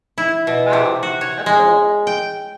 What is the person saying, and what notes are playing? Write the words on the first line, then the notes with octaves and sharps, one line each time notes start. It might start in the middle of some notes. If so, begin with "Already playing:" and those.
Wow, that's cool.
E4
B2
C3
F#4
C#5
G#3
G5